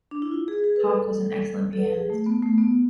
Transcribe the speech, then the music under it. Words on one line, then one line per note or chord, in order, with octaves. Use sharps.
Hawke was an excellent pianist.
D4
E4
F4
G#4
G#4
B4
A4
A4
B4
G#4
A3
B3
A3
B3